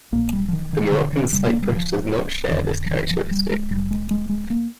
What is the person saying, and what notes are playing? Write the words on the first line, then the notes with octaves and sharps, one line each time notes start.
The Moroccan cypress does not share this characteristic.
A#1 A#2 A#3
G3
F3
D#3
D#3
D3
D#3
D2 C3 G3
A#3
G3
D#3
F3
F1 F2 D3 D#3
F3
D#3
F3
G3
G#3
A#1 G#2 G3
G#3
G#3
G#3
A#3